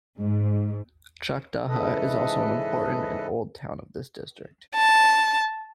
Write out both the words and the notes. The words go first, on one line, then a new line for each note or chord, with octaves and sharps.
Chakdaha is also an important and old town of this district.
G#2
G#2 C#3 E3 A4 B4 D#5
A5